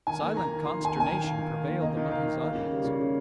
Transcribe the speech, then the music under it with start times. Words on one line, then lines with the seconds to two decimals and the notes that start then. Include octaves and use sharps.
Silent consternation prevailed among his audience.
0.07 D#3 G#5
0.22 A#3
0.36 D#3 A#5
0.51 D#3
0.66 D#3 C6
0.80 D#3 G#5
0.95 A#3 G#5
1.04 D#3 G5
1.24 D#3 F5
1.38 D#3
1.53 D#3
1.68 A#3
1.82 A#3 D#5
1.97 D#3
2.11 D#3 F5
2.26 D#3
2.41 A#3
2.55 C#3
2.70 G3
2.84 C#3
2.99 C#3